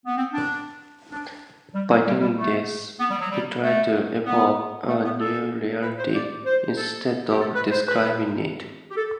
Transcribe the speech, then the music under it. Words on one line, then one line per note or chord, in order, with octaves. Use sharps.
By doing this, he tried to "evoke" a new reality, instead of describing it.
B3
C4
D4
D4
G3
F#3
G3
G3
A3
B3
G3
F#3
G3
A3
B3
A3
B3
A4
B4
C5
D5
C5
A4
G4
A4
B4
C5
B4
G4
A4